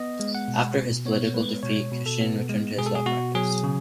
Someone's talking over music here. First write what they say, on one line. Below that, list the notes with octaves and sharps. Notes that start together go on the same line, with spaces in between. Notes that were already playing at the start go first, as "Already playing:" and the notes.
After his political defeat, Cashin returned to his law practice.
Already playing: B3 D#5
G#3
F#5
B2
B2
B3 C#5
G#3 B4
B2 C#5
B2
A4
B3
G#3
B2 G#4
A4
G#4
B2 F#4
F#3 G#4
C#3